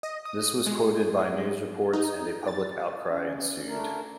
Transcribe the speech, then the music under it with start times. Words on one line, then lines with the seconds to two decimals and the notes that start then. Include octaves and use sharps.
This was quoted by news reports and a public outcry ensued.
0.03 D#5
0.25 D#6
0.67 G#3
1.93 D#4
2.47 A6
3.08 C#4
3.68 A3 D4 A#4